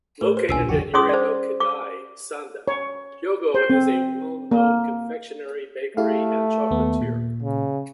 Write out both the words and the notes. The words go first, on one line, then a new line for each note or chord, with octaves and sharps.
Located in Yurinokidai, Sanda, Hyogo, is a well-known confectionery, bakery and chocolatier.
A2 A3 A#4
B4 C5
D#1 B1 C#4 D4 F4 G#5 E6 C7
A1 F2 D3 F#4 G4 C#6
C#4 G#4 C#5 C6 D6 D#6
C5 D5
D6
C#5
C5
C4
A#3
A3 E4 G4 F5
D#2 B3
A#2
C#3